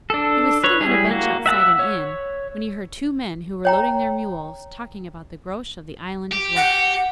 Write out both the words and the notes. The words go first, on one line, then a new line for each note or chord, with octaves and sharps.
He was sitting on a bench outside an inn, when he heard two men who were loading their mules talking about the Groac'h of the island of Lok.
D4 A4
B4 C#5
G3 E4 G#4
A#3 F#4
E5 F#5 A5 E6
C#5
C#5 G5 A#5
G4
F#5